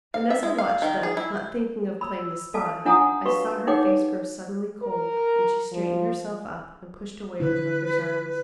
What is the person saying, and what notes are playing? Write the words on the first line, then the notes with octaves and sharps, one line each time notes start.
And as I watched them--not thinking of playing the spy--I saw her face grow suddenly cold, and she straightened herself up and pushed away her lover's arms.
F5
E5
G#3
F5
D#3
G#4
E4
B5 E6
A4 F5 A5
D4 F4 F#5 G#5 A#5 D#6
F#4 B4 F5 C#6
D#4 G#4 C#5 F#5 G5 D6
A#4
F3
D3 E4 B4